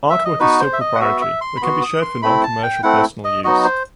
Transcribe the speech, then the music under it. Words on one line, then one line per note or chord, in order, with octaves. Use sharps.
Artwork is still proprietary but can be shared for non-commercial, personal use.
E5
D#5
B3 D#4 F#4 B4
C5
E5
D#5
F#5
B3 F#4 E5
E5
C6
B5
B3 F#4 C6
D#6
C6
A3 C4 E4 B5
A5
G5
A3 C4 E4 F#5
D#5
F#3 B3 D#4 F#4 D#5
C5